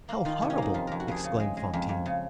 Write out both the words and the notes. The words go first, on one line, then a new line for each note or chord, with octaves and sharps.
"How horrible!" exclaimed Fantine.
A#3
D#3 F4
C3
C#4
A#3 D#4
F2 F4
F2 A#4
F#4
F2 G#4
C#3
G#3
G#3
F2
F2
C#3